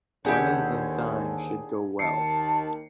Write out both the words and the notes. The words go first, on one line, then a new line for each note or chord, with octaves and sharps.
Lemons and thyme should go well.
D#2 D3 D4 E4 G4 G#4 C5 F#5
D#2 D#3 A5 C7 C#7